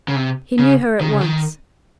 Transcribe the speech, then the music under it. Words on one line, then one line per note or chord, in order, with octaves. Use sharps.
He knew her at once.
C#3
C3
C#3
D#3
C#3
D#3